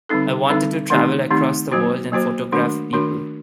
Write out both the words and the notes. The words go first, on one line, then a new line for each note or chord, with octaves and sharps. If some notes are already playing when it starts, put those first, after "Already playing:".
I wanted to travel across the world and photograph people.
D3 G3 C4 D#4 A4
D3 G3 C4 D#4 A4
D#3 A3 C4 D#4 G4
D#3 A3 C4 D#4 G4
F#3 A#3 F#4 C5
F#3 A#3 F#4 C5
D#3 A3 D4 F#4 A#4
D#3 A3 D4 F#4 A#4